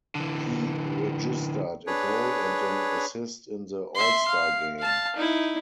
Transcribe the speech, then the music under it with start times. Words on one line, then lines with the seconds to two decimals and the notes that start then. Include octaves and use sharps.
He registered a goal and an assist in the All-Star game.
0.15 D3 E3
1.87 D4 G#4 B4 C#5
3.95 E5 C6
4.28 F5
4.79 F5 A5
5.16 D#4 E4